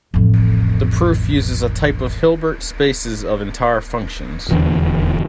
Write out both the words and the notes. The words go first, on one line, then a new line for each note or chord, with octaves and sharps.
The proof uses a type of Hilbert spaces of entire functions.
A1 F2
D#1 E2 D3